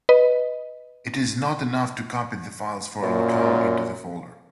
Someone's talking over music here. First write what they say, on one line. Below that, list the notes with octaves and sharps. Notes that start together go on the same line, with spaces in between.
It is not enough to copy the files for a locale into the folder.
B4 D#5
F#2 A#2